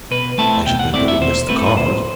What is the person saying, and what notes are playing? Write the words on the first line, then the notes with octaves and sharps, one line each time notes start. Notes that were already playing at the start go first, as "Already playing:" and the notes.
"I should think they would miss the cars."
B2 B4
A3 C4 E4 A5
B2 G5
F#5
A3 C4 E4 D5
E5
B2 C5
A3 C4 E4 B4
A4
B4
B1 C5